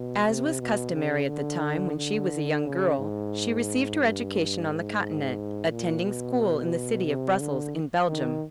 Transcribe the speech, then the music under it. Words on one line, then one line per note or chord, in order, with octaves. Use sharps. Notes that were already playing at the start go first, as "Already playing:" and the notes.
As was customary at the time when she was a young girl she received her education on the continent, attending school in the city of Brussels in Belgium.
Already playing: B2
C3
B2
C#3
D3
D3
C#3
G#2
G2
G#2
A#2
B2
C3
D3
D#3